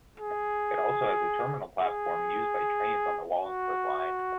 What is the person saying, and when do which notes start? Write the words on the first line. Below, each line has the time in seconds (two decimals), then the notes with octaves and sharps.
It also has a terminal platform used by trains on the Wallingford line.
0.18 G#4
1.80 G#4
3.41 F#4